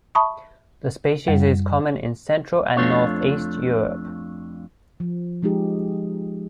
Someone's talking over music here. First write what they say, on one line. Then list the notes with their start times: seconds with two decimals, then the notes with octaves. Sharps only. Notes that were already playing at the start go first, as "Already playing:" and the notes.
The species is common in central and northeast Europe.
0.15 E5 A5 B5 C#6 D#6
1.28 F#2 G3
2.76 F2 A#2 A3 D4 F4 C#5
5.00 F3
5.42 F3 G#3 D#4 G4 G#4